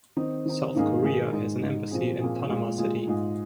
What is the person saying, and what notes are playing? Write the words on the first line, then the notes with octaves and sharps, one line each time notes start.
South Korea has an embassy in Panama City.
D#3 C4 D#4
D#3 C4 D#4
G#2 D#3 A#3 D#4 G#4
G#2 D#3 A#3 D#4 G#4
G#2 G#3 D#4
G#2 G#3 D#4
A#2 F3 C4 G#4
A#2 F3 C4 G#4
A#2 G#3 F4 G#4
A#2 G#3 F4 G#4
G#2 G#3 F4 G#4